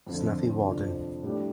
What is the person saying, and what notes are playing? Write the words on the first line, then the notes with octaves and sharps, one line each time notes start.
Snuffy Walden.
F2 D3 F3
F2 C3 F3 D4
A2 G3 D4 G4